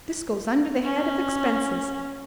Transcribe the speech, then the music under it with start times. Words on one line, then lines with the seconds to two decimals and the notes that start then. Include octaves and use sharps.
This goes under the head of expenses.
0.84 C#4